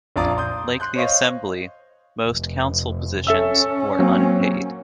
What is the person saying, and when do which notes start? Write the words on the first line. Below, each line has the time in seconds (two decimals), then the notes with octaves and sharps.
Like the assembly, most council positions were unpaid.
0.16 A#1 F2 F4 D5 A#5 D#6
0.37 C6 D#6 G6
0.80 C6 F#6 G6
0.96 C5 C#5 D#5 F5 C#6
2.28 F1
3.27 C#4 A4 E5 E6
3.99 F#3 A#3 C4